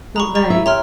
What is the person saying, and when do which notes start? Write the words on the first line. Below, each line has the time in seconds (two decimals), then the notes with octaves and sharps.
Not they!
0.16 A#5 B5 C#6
0.35 A#5 C#6 A6
0.50 E4 B4 E5
0.66 G4 C#5 A#5 C6 F6